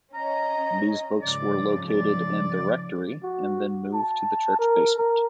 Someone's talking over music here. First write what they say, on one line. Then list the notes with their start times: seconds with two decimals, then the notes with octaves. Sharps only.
These books were located in the rectory and then moved to the church basement.
0.14 C#4 D#5 A#5
1.21 G#2 C#3 F3 D5
1.89 D5
3.23 F#4
3.94 A5
4.59 A#4
4.97 A#4